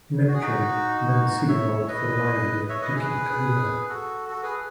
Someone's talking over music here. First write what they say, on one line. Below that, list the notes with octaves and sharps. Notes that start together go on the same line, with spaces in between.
"Neptune" then signalled for "Lively" to keep clear.
F#4
G#4
D#4 F#4
C#5 E5
C#5
B4 D#5
C#5 E5
B4 D#5
G#4 B4
F#4 A4
F#4 A4
G#4 B4